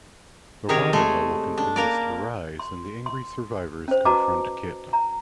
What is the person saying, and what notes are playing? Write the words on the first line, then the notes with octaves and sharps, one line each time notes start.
The water level continues to rise and the angry survivors confront Kit.
C3 D#3 G#4 A#4 C#5 D5
G#3 A3 G#4 A4
D4
A#3 A#4 D5
C6
C6
C#4 C5
F#4 B4 D#5 A5 A#5 D6
A#5